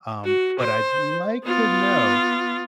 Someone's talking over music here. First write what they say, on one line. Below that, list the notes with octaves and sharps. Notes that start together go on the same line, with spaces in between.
um, but I'd like to know
F#4
C5
B3 F4